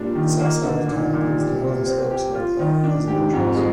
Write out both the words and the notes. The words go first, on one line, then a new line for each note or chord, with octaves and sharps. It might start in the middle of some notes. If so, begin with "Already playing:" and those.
The south side of the town includes the northern slopes of the Presidentials.
Already playing: A#2 G3 D4
D#3
A#3
D3
A#2 D#3
A#2
G3
C3
C4
G4
F4
D#3
D4
G#2 G4
F2 G#2
G#3